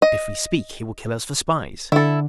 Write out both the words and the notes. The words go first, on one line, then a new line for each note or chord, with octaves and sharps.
But if we speak, he will kill us for spies.
D#5
D3 E4 A4